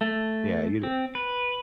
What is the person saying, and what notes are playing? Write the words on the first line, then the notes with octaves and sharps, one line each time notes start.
Yeah, you d
A3
C4
B4